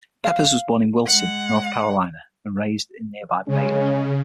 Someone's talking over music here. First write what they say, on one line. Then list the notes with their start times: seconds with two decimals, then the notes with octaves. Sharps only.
Peppers was born in Wilson, North Carolina, and raised in nearby Bailey.
0.25 F5
1.06 G#3 F#5
3.48 C#3 G#3 C#4